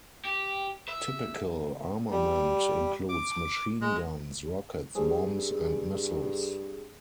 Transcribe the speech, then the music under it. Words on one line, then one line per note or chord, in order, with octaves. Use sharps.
Typical armament includes machine guns, rockets, bombs and missiles.
G4
E5
G3
D6
G#3
G2 C4 G#4 A4